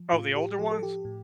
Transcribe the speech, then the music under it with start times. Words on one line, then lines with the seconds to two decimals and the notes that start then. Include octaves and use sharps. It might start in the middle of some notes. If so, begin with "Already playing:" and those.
Oh, the older ones?
Already playing: F3
0.12 A2 F4
0.36 G4
0.59 F3 G4
0.71 A4
0.83 G4
1.05 A2